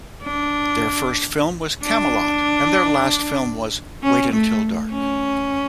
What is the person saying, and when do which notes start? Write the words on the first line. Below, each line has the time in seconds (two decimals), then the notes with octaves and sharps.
Their first film was "Camelot" and their last film was "Wait Until Dark".
0.23 D4
1.83 D4
4.03 C#4
4.32 A3
4.91 C#4